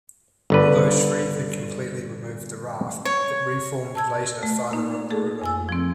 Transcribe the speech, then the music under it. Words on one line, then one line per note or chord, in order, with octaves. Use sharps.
Although Shreve had completely removed the raft, it reformed later farther up the river.
G1 D3 B4
C#5
A5 E6 G#6
A3
A#3 D#4
A3 G#4 A4
F2 G#5 E6
F3 C4